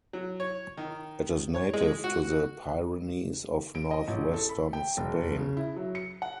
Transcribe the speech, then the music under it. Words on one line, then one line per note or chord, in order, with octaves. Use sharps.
It is native to the Pyrenees of Northwestern Spain.
F#3
C#5
D#3
C#5
G#3
F#4
D7
D#5
A1
A4
B5
G5
E1
C#3
E4
F#3
C#7
F#5